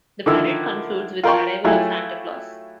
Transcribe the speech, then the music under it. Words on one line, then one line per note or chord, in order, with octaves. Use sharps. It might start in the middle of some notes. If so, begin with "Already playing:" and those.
The parade concludes with the arrival of Santa Claus.
D3 D#3 F3 E4 E6
F4 A#4 G5 C6 C#6
F#3 A3 E4 F4 G4 G#4